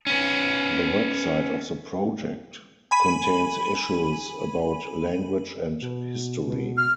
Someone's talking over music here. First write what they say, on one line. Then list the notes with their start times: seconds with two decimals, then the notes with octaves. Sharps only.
The website of the project contains issues about language and history.
0.07 B3 C#4
2.91 G#5 B5 D#7
5.82 B2
6.46 B2
6.78 F6